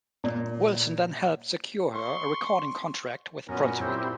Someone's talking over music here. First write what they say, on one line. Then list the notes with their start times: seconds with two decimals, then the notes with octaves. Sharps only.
Wilson then helped secure her a recording contract with Brunswick.
0.24 A#2
1.94 C6 C#6
3.49 F#2 A#2 B3 C#4 A#4
3.81 A#2 C4 E4 G4